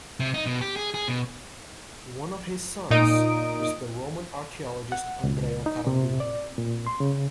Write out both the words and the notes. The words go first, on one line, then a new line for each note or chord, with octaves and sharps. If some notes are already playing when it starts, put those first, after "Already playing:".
One of his sons is the Roman archaeologist Andrea Carandini.
C3
D#4
B2
G4
G#4
G#4
B2
A#2 D#4 D#6 D7
F#5
C#2
D#4
C3
D5
A#2
C6
C#3